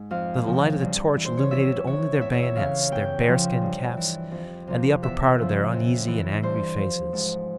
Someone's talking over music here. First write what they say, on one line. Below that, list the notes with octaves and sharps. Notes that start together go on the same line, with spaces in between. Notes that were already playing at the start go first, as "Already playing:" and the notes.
The light of the torch illuminated only their bayonets, their bear-skin caps, and the upper part of their uneasy and angry faces.
Already playing: G#2
F2 F5
C#3 F3
G2
E3
C5
C#5
F2 E5
E3 C#5
E2 E5
C#5
E5
C#3 E3 F5
E2 G5
C#3 F3
G2
E3
F2
C3 F3
E2 E5
C#3 F3
F2
E3
G2 C5
F3
G#2